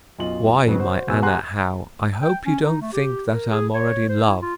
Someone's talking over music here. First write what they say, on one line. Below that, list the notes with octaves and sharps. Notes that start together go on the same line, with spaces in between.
Why, my Anna Howe, I hope you don't think that I am already in love--!
B1 F#2 F4 D#5 F#7
F2 A2 C#3 F3 F#3 B3
F#4 C5
E1 B2 G#5 E6
G4 F#5 G#5 A#5 C6 F#6
G5
C#4
D#4
A3
G4
A#4
G#4
C#5
C5
E4
F4